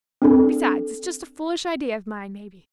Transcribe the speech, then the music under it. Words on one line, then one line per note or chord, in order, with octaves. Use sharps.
Besides it's just a foolish idea of mine, maybe.
C4 D4 A4